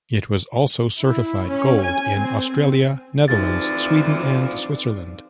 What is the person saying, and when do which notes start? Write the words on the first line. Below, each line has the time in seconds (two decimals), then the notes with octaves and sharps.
It was also certified Gold in Australia, Netherlands, Sweden and Switzerland.
1.02 E4
1.49 C#4
1.83 G#5
2.22 C4
3.28 D2 E3 F3 C4 D#4 G4 D5 A6